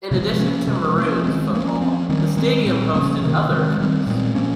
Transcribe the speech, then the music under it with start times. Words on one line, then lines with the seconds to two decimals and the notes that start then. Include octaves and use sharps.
In addition to Maroons football, the stadium hosted other events.
0.11 C3 F3 G#3
0.40 F3 A#3 C#4
0.68 C3 F3 G#3
0.96 F3 A#3 C#4
1.24 D#3 G#3 C4
1.53 F3 A#3 C#4
1.81 F3 C4
2.09 D#3 G3 C#4
2.37 D#3 G#3 C4
2.66 A#2 G3 C4
2.94 C#3 F3 A#3 C#4
3.22 C3 D#3 A#3
3.50 D#3 G#3 C4
3.78 D#3 G3 C4
4.07 A#2 G#3 C4
4.35 A#2 F3 A#3 C#4